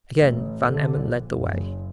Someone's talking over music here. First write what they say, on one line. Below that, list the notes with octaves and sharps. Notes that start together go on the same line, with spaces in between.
Again Van Emmon led the way.
A1
D3
A#1
F#1